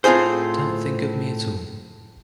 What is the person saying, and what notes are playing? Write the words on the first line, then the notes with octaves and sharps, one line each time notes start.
Don't think of me at all.
A2 C4 F4 G#4 C5